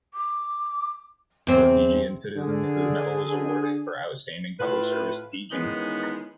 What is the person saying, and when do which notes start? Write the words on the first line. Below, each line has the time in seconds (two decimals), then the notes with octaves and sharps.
For Fijian civilians the medal was awarded for outstanding public service to Fiji.
0.14 D6
1.47 E2 C4
2.37 D3 G#4
4.60 A2 E4 F4 B4
5.51 D#3 E3 G#3 B3 C#4 D#4